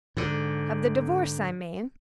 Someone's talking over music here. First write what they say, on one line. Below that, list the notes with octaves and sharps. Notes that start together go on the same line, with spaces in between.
"Of the divorce, I mean?"
G#2 D3